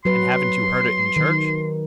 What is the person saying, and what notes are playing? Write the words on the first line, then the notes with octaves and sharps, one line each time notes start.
"And haven't you heard it in church?"
F#3 B4 C6
D#3